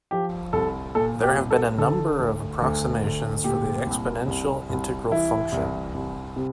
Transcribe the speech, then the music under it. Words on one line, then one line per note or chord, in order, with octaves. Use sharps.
There have been a number of approximations for the exponential integral function.
F3 G4
C2 A4
A#2 A4
G4
C2
A4
D3 A4
D2
D2
D2
A#2 G4
C2
C2
C2
E3 E4
C2
C2
C3